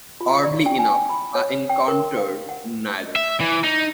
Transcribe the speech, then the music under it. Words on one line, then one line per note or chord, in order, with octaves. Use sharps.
Oddly enough, I encountered neither.
F4
D5
G5
G#5
B5
C#5
G5
A#4
F5
F#5
E5
E3
D#4